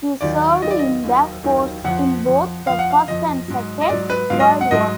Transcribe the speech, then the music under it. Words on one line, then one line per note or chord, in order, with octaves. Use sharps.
He served in the forces in both the First and Second World Wars.
D#2 D#3 F#3 D5
D#2 D#3 F#3 D#5
D5
D#5
D#2 D#3 F#3
D#2 D#3 F#3
F2 F3 F#5
F2 F3
F2 F3 F5
F#5
F5
F2 F3 D#5
G#2 F#3
D#5
G#2 F#3 D5
B4
G#2 F#3 F5
D#5
F#5
G#2 F#3 D#5